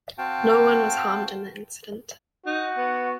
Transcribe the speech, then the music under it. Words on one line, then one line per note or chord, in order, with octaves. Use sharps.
No one was harmed in the incident.
C4 F#4 F5 G5 A5
D#4 F#4
B3